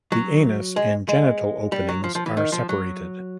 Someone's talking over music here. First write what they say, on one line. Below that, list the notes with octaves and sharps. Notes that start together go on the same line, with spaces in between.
The anus and genital openings are separated.
F#3
G#3
G#3
G3
F#3
F3
F3
E3
D#3
F3
F#3